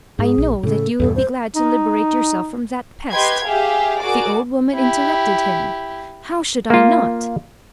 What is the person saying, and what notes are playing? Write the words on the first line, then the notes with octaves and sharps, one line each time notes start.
I know that you will be glad to liberate yourself from that pest." The old woman interrupted him: "How should I not?
G#2 G#4
A#1
A2 C#3 A4
E2 G2 B2 A4
C5
D#4
G4 B4 D#5 G5 C6 G#6
G4 G#4 E5 F5 G5
F#4 G#4 A#4 D5 D6 D7
E4 G4
A#3 F4